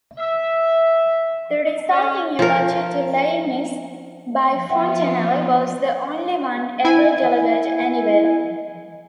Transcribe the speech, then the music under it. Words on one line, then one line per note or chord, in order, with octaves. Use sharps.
The resulting eulogy to Leibniz, by Fontenelle, was the only one ever delivered anywhere.
E5
C#4
F3 A#4
F3 B3 F4 E5 F#5 G5
E4 G#5